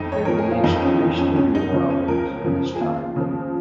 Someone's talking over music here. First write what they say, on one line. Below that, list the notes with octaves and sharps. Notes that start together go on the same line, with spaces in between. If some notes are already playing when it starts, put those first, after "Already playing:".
They released three studio albums in this time.
Already playing: F2 D#4
C#5
F3 A#4
G#4
F4
F2 D#4
C#4
F3 D#4
C#4
C#2 C#4
D#4
C#3 F3 D#4
C#4
C#2 A#4
C#3 F3
G#4
D#2 F4
C#3 F3 C#4